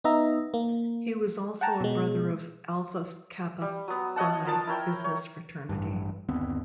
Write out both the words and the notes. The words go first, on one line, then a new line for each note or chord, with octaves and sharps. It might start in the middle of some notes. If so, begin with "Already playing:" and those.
He was also a brother of Alpha Kappa Psi Business Fraternity.
B3 D#4 D#5 E5 A#5
A#3
F#5 G5 A5 A#5
B2 G#3
G3
F#3 B3
C#5 D#5 F#5 A5
F3 A#4 A5
E4 A#4 C#5 G5
C#5
A1 G2
G1 D#2 B3 C4